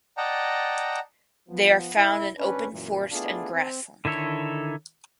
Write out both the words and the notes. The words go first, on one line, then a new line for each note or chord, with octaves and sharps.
They are found in open forest and grassland.
D5 D#5 F#5 G5 A5 A#5
F3 B3
C2 E4
G#1 C#4 D4 B4
F#2 A#2 E3
A3 B3 D4 E4 F4 G#4
C4
D3 D#3 E4 A4 C#5